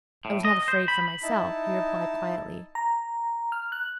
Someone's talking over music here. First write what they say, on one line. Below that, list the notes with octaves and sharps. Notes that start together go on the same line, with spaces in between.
"I was not afraid for myself," he replied quietly.
A2
D#5
C5
B5
D#4 E4 A5
A#5
F6
F#6